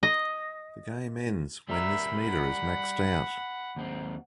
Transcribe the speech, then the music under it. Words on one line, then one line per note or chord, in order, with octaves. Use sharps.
The game ends when this meter is maxed out.
D#5
G3 A#4 E5 B5
F#5
D#2 C4